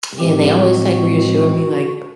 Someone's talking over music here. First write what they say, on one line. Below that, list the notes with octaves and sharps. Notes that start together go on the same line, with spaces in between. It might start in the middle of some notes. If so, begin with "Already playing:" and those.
and they always, like, reassure me, like,
A2 F3 G#3 C4 G4
F#4
F#4
F#4